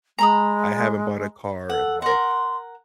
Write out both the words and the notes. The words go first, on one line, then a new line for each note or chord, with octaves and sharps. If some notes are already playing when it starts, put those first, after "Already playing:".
I haven't bought a car in, like
G#3 A#5 B5 D#6
A4 F#5
A#4 F#5 C6